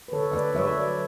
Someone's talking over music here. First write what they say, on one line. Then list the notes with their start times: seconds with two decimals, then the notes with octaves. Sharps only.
That's dope.
0.08 B4
0.12 D3 A4 C#5
0.34 A3 B4 D5
0.55 F#3 C#5 E5
0.77 F#3 B4 D5